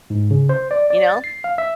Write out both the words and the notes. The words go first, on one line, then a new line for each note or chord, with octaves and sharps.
you know.
G#2
C#3
C5
D5
D5
A6
C7
F5
E5